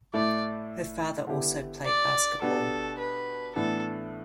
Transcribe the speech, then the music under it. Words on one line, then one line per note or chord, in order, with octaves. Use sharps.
Her father also played basketball.
A2 A3 E4 D5
D3 B3 E4 G4
D5
B2 B3 D4 G4 A4
B4
A2 E3 B3 D4 A4